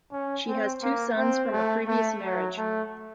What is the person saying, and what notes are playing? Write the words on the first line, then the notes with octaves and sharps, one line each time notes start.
She has two sons from a previous marriage.
C#4
C4
A#3
C4
A3
A3
F#3
A3